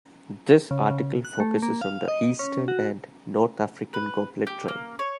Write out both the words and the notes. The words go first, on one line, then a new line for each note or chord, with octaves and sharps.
This article focuses on the "Eastern" and "North-African" goblet drum.
C#3
C#3
F#6
A3
A#3
F5
D#5
C#4
F#4
B4
G4
A#3
C#5